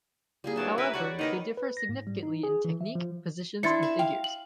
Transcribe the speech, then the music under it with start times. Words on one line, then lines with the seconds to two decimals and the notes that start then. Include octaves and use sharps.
However, they differ significantly in technique, positions, and figures.
0.44 G3 A#3 G#4
0.56 D#3 E3 F#3 D4 A5
0.78 E4 A#4 B4
0.93 F#4 C#5 D5 B5
1.19 D#3 D#4 A#4 B4 F#5
1.57 B4
1.77 A#6
1.89 G#2
2.07 G3
2.23 D#4
2.43 G#4
2.65 E3
2.81 E5
2.95 F3
3.63 D4 E4 C6 A6 C#7
3.82 A5 B5 C#6
3.99 F5 G5
4.24 F#7